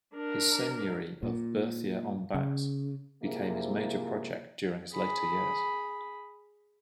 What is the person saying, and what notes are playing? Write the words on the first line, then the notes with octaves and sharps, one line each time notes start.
His seigneury of Berthier-en-bas became his major project during his later years.
D4 A#4
A#2
C#3
C3 F3 A#3 E4 G#4
G#4 B5